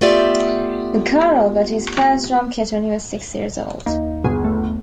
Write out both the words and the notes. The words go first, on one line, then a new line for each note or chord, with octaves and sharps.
McCarroll got his first drum kit when he was six years old.
A3 B3 F4 G4 D5 E5
D#2 A#3 D#4
G1 G#4
A3